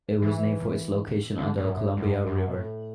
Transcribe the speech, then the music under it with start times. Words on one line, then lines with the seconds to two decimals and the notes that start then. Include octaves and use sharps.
It was named for its location on the Columbia River.
0.22 E3
1.38 D3
1.57 A2
1.68 F#2
1.77 A2
1.97 F#2
2.27 F#2
2.48 B2
2.56 A2